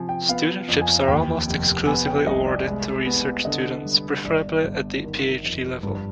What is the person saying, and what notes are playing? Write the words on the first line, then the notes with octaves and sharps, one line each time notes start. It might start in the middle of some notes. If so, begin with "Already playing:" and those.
Studentships are almost exclusively awarded to research students, preferably at the Ph.D. level.
Already playing: C3 F3 G#5
G5
B3 F5
F2
G#5
D#2 G5
F1
B3 G#5
G5
C2 D#5
D5
G#3
B3
D3 D#5
G3
G1 D5
G1
D#3
F2
G2